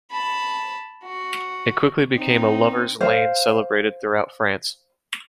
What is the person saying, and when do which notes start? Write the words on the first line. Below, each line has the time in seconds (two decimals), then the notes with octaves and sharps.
It quickly became a lover's lane celebrated throughout France.
0.11 A5 B5
1.04 F#4
2.13 C4 D#4
3.01 C5 F5